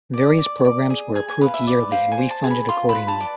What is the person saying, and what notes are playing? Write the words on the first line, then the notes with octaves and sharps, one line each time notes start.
Various programs were approved yearly and re-funded accordingly.
D5
D5
D5
G#4
G#4 G#5
G#5
B4 F5
E5
D5
C5 F5
G#5
C5
A5
G#4
B5
F4 C6
B5
B4
A5
D5